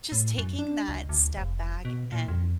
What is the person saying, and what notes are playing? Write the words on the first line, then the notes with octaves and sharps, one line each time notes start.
just taking that step back and
A2
F#2
D4
C#2
D2
F1
B2
A#2
F2